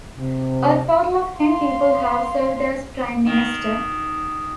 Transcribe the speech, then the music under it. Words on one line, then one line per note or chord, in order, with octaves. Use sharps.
A total of ten people have served as Prime Minister.
C3
F5 C6
D#3